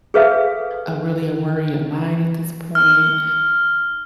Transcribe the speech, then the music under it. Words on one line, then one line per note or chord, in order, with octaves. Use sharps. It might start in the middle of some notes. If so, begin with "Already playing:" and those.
a really a worry of mine at this point."
G#4 A4 B4 E5 F5
F6